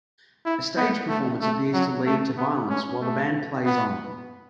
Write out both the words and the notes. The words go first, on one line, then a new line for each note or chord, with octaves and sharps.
A stage performance appears to lead to violence while the band plays on.
E4
B3
A3
A3
F#3
A3
B3
C#4
A3
B3